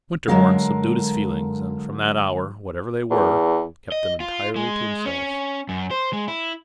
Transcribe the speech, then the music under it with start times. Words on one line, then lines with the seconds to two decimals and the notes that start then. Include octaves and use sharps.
Winterborne subdued his feelings, and from that hour, whatever they were, kept them entirely to himself.
0.28 D3 F#3 G#3 C#4 A#4 F5
3.11 E2
3.92 D#5
4.20 F4
4.56 G#3
5.05 C#4
5.69 F#2
5.91 C5
6.13 G#3
6.28 E4